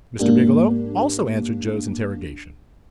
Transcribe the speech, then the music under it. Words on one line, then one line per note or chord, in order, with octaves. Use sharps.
Mr. Biggielow also answered Joe's interrogation.
G#2 A#3 D4 G4